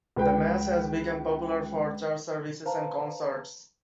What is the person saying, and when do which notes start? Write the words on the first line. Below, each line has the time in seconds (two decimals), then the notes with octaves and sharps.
The mass has become popular for church services and concerts.
0.16 C#2 B4 G5
2.65 B4 C5 F5 A5 A#5